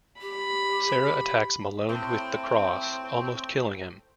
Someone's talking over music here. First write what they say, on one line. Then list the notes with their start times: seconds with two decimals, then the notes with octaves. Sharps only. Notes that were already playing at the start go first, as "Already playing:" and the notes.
Sarah attacks Malone with the cross, almost killing him.
0.21 G4 B5
1.89 A2 C4